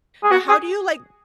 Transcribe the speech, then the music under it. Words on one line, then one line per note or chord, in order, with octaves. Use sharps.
Now how do you, like,
G#4
F#4
G#4